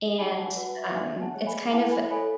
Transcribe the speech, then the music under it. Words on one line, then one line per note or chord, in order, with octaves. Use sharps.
and, um, it's kind of
D#4 G#5 B5
F#5 A5
F#4 B4 F#5
E5
D#4 E5 G#5
F#5 A5
G#4 C#5
G#5 B5
E4 F#5 A5
G#5 B5
A4 C#5 G#5 B5